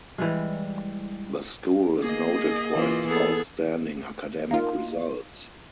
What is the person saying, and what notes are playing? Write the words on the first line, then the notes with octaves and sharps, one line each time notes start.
The school is noted for its outstanding academic results.
E3 G3 G#3
A#3 G#4 D#5
E3 A#3 F4
B3 G#4 A4
A#3 D#4 F4